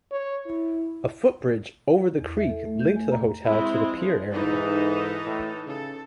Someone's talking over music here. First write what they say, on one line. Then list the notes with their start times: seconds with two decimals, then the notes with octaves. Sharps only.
A footbridge over the creek linked the hotel to the pier area.
0.11 C#5
0.46 E4
2.20 E2
2.37 E5
2.49 A4
2.65 A3
2.80 G6
2.96 G#5
3.12 A#5
3.45 G#3 C4 E4
3.92 F3
4.31 G#2 E3 D#4 A4
5.26 A2
5.66 C#3 A4